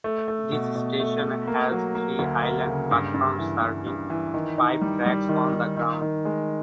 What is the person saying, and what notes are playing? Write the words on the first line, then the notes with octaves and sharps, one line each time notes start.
This station has three island platforms serving five tracks on the ground.
A3
A3
B2
B2
A3
A3
A#3
F#3
A#3
D2
A#3
C#3
G2
G2
E3
G2
G2
E3
D#3
D#4
G3
G3
D#3
D#3
D#3
D#3
G#3